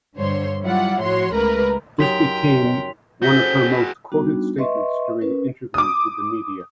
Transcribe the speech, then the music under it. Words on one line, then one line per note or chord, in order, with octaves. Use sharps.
This became one of her most quoted statements during interviews with the media.
G2 D3 C5 C#5 C6
F#3 G3 E4 F4 D5 F#5
A2 F3 F#4 C#5 C6
C#2 A3 A#4 B4 A#5
F#2 D#4 G4 A#4 G5 C6 B6 F7
C#4 F#4 G#4 A4 C5 G6 B6
G3 B3 D4 D#4 F#4
B4 D#5 E5 C6 C#6
C#4 A#4 B4
D6 D#6